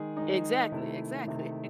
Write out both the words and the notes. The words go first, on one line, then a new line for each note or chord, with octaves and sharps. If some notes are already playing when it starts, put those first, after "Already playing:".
Exactly, exactly.
Already playing: D#3 G#3 G#4
D#3 G#3 D#4
C3 D#3 A3 E4
C3 D#3 A3